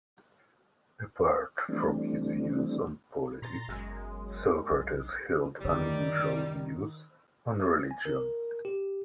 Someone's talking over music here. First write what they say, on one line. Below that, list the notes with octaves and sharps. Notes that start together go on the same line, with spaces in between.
Apart from his views on politics, Socrates held unusual views on religion.
E3 G3 A3 C4 D4
A#2 A#5 C6 A6
G1 F#2 G#3
B1
F#2 D3 D#3 G3
G#5
A#4
G4